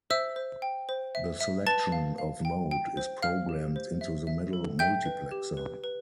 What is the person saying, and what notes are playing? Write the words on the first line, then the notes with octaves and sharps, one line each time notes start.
The selection of mode is programmed into the middle multiplexer.
C5 E5 E6
C5
G5
C5
E5
E5
B4 A5 A6
F5
F5
G5
G5
C5
C5 F5 F6
G4
C5
E5
E5
A4
E5 G5 G6
B4
G4
B4
B4